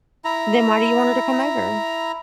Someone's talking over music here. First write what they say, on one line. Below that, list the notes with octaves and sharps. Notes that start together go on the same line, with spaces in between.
Then why do you want her to come over?
E4 A#5